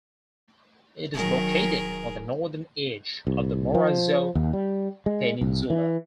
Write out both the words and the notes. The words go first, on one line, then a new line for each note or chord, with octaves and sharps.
It is located on the northern edge of the Morrazo peninsula.
D1 D#3 F#3 G#4 A#4
C2
F3
D#2
G3
G#3
C2
E3